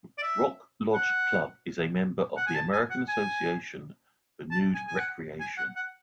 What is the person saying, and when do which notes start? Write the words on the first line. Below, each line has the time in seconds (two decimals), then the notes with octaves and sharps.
Rock Lodge Club is a member of the American Association for Nude Recreation.
0.18 D5
0.23 E5
0.94 F#5
2.37 F#5
2.47 G#5
2.55 A5
2.73 G#5
2.90 F#5
3.08 G#5
4.51 A5
4.75 G#5
4.88 G#5
4.98 F#5
5.40 G#5
5.58 F#5
5.76 F#5